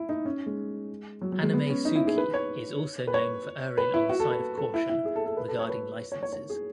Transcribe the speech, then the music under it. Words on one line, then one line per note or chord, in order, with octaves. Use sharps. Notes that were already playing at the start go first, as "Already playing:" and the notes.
AnimeSuki is also known for erring on the side of caution regarding licenses.
Already playing: E4
D#4
C#4
G#3
F#3
F#3
G#3
B3
C#4
D#4
E4
G#4
B4
C#5
B4
C#5
B4
E4
F#4
A4
B4
A4
E4
E4
G#4
A4
A4
B4
A4
C#5
B4
C#5
C#5
C#5
G#4